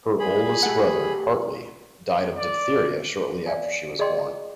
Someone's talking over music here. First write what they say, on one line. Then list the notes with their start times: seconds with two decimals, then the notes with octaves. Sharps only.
Her oldest brother, Hartley, died of diphtheria shortly after she was born.
0.20 G3 G#4 B5
0.63 A3 G4 F#5
2.37 D5
3.46 D5 F5 G#5
3.99 G#4 D5 D#5 G5 C6